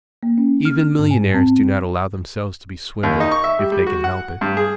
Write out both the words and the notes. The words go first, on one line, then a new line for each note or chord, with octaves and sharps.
Even millionaires do not allow themselves to be swindled, if they can help it.
A#3
C#4
F6
G#2
G#5
C4
D#2
D#4
C#6
E5
G3
G3
F#4
F#5
G2
G#4